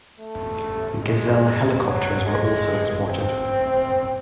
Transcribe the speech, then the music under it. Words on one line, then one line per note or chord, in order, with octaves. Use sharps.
Gazelle helicopters were also exported.
A3
G#3
F#3
G#3
C4